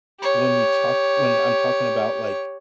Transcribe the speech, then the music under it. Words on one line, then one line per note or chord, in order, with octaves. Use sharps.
when you talk when I'm talking about, like,
G4 C#5